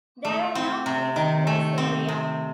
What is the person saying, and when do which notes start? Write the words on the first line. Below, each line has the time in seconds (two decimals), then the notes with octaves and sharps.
There are no trees in this area.
0.25 A3
0.55 C4
0.86 C3
1.16 D#3
1.47 A3
1.78 C4
2.08 C3